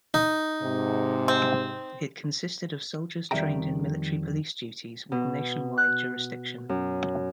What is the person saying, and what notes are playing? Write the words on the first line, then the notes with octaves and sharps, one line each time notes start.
It consisted of soldiers trained in military police duties with nationwide jurisdiction.
D#4
G#2 C3
C4
F2 D#3 G3 E5 G5 A#5
B2
F#6
F#2